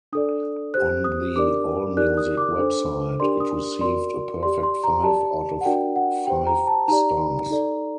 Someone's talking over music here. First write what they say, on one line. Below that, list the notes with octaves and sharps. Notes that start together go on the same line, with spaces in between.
On the AllMusic website, it received a perfect five out of five stars.
D4 A4 D5 D#6
G4 C5 F#6
D#6
D4 G4 A#4 D5 D6
D#4 G4 A#4 D5 F#6
D#6
D6
D4 A4 C5
D4 G4 A#4 D5 C6
D#6
F#4 A#4 D5 C6
G4 D5 C6
C6
A#5
G4 D5 A5
F#5
D4 F#4 A#4 D5 G5
F#5
G4 C5 G5
A#5
A5
D#4 G4 D5 A#5
D#4 A4 D5